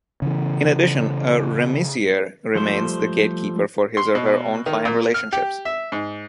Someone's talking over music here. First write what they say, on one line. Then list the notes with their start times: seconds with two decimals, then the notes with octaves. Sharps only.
In addition, a remisier remains the gatekeeper for his or her own client relationships.
0.22 C#3 E3
2.55 F3 G3 A3 C5
3.97 C6
4.15 B2
4.66 D#3
4.85 A#2
5.14 F6
5.32 G4
5.65 E5
5.92 G#2